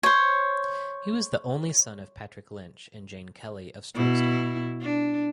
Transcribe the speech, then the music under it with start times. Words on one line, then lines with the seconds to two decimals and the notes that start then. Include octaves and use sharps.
He was the only son of Patrick Lynch and Jane Kelly of Strokestown.
0.03 C5 C#5
3.94 B2 E4
4.81 D4